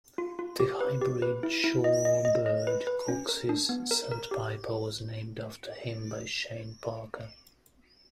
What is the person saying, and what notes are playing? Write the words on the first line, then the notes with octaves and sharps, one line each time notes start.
The hybrid shorebird Cox's sandpiper was named after him by Shane Parker.
F4
F4
G4
B4
G4
B4
E4
E4
D#5
D#5
D#5
D#5
B4
B4
C#4
A#4
D4
B3
A#4
A#4
G4